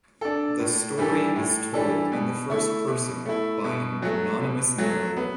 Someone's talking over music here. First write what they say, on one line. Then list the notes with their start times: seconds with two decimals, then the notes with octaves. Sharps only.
The story is told in the first person by an anonymous narrator.
0.21 D4 A4
0.60 A2
0.98 E3 G3 D4 A4
1.36 A2
1.73 E3 G3 D4 A4
2.12 B2
2.50 A3 E4
2.87 B2
3.26 A3 E4
3.64 B2
4.02 F#3 A3
4.40 B2
4.78 F#3 A3
5.17 B3